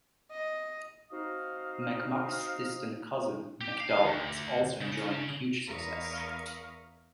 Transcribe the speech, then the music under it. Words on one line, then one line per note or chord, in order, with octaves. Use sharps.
McMug's distant cousin, McDull, is also enjoying huge success.
D#5
C4 D#4 F#4 D#5 F5
G4
F5
D2
C#3
E2 A#4 E5 F5 C#6 D#6